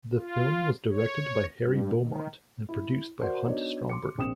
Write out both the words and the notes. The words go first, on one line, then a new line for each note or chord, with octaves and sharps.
The film was directed by Harry Beaumont and produced by Hunt Stromberg.
F4
C#5
G2
D#3
E4
F#4 A#4 C5 D5 F#5
B3 D4 D#4 F#4 C#5 D5
C6 D6 C#7
A#1 C4 D#6 E7